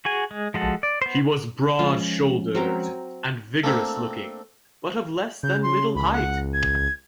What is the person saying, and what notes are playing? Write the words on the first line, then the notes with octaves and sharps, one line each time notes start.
He was broad-shouldered and vigorous looking, but of less than middle height.
F#4 G#4 G#5
G#3
F3 G#3 F#4 A4
D5
B3 C5
F3 G#3 C#4 F4
F#3 C4 A#4
A3 A#3 C4 D4
C#3 G6
C6
C#2 B5
F#5
G#6